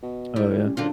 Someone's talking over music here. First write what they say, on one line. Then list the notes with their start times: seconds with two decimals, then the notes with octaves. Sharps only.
Oh, yeah.
0.03 B2
0.36 A2 G3
0.63 C#4
0.77 F#2 D3 C4 D4 F4